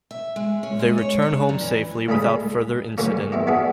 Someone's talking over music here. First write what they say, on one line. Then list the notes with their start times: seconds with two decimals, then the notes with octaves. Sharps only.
They return home safely without further incident.
0.11 E5
0.36 G#3
0.63 C#4
0.79 G#3
0.98 C#5
1.22 D4
1.49 F#2
1.61 E3
2.08 C#2 A2 G3 G#4 B5
2.98 F#2 A2 D3 G3 C#4
3.32 E2 G2 E4 G4
3.47 B3 D4 E4 F#4 G#4